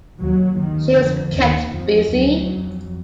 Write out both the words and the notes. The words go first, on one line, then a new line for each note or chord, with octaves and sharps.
She was kept busy.
D#2 F#3
D#2 D#3
F2 D3
D#2 D#3
F2 F3
D2 F#3
F2